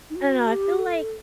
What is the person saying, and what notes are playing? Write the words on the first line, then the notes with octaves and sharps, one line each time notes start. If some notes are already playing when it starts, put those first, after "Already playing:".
I don't know, I feel like,
D#4
F#4
G4
A4